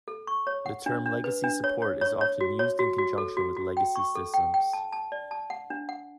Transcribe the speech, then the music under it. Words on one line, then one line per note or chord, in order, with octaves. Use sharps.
The term "legacy support" is often used in conjunction with legacy systems.
A4
C#6
C#5
F#5
D4
D4
B4
D4
C#5
C#5
C#5
C#5
F#4
C#5
F#4
F#4
A4
F#4
F#4
G5
C#6
A4
G5
G5
A5
A5
D5
A5
F#5
D4
F#5